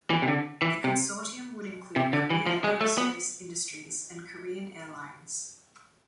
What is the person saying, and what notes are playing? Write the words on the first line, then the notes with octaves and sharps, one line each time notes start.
The consortium would include Korea Aerospace Industries and Korean Air Lines.
E3
C3
D3
E3
C3
C3
D3
E3
F3
G#3
A3
B3